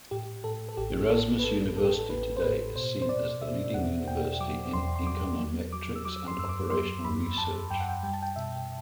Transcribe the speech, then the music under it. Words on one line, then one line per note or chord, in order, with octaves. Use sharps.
Erasmus University today is seen as the leading university in Econometrics and Operational Research.
A2 G4
A2 A4
A4
A1 G4
A1 A4
B4
A2 A4
A2 A4
G4
A4
A1 B4
C5
A2 B4
B2 C5
C5
B2 D5
B2 E5
E2 F#5
B2 G5
F#3 D6
E2 C6
C6
F#3 D6
F#3
F#3 D6
E6
F#3 D6
C6
F#2 E6
D6
F#3 C6
F#2 B5
F#2 A5
F#2 G5
F#5
G5
G3 G5
A5
G5
B2 E5